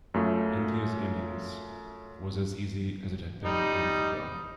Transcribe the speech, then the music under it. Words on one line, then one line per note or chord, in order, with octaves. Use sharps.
India's innings was as easy as it had been a week ago.
F#2 A3 F4
G3 D#4